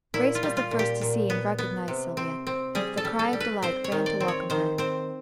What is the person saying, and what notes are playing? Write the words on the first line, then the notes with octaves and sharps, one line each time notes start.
Grace was the first to see and recognize Sylvia, and with a cry of delight ran to welcome her.
A#2 E4
F4
G3
F4
A#2
G4
A#2
B3
B3
C3
C4
C4
G3 G#4
A4
G3
A4
G3
B4
C4 C5
C#5
D#3
D5
C4
C#5
D#3 C5
C4 C5